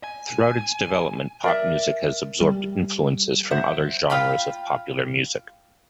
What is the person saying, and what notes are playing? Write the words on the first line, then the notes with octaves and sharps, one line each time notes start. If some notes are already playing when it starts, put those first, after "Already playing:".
Throughout its development, pop music has absorbed influences from other genres of popular music.
G#5
A#4 D5 E5
G3
C5 E5 F#5
F4 F5 G5 B5